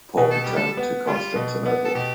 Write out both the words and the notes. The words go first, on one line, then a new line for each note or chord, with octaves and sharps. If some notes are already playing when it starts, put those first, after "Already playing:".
Paul returned to Constantinople.
B2
A4
G3 G4
A4
B3
G3 F4
B2
B3
A4
B2 G4